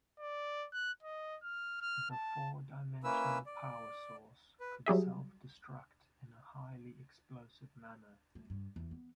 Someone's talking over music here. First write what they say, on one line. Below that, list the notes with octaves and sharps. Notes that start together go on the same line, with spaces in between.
The four-dimensional power source could self-destruct in a highly explosive manner.
D5
F#6
D#5
F6
F6
A5
A#3 C#4 E4 B4 E6
D5
B4
F#3 G3 G#4 E5
A3
G2
E2
B3